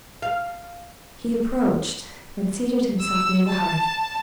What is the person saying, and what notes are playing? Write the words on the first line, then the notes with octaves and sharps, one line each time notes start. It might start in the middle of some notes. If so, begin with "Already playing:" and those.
He approached and seated himself near the hearth.
F5
E6
A5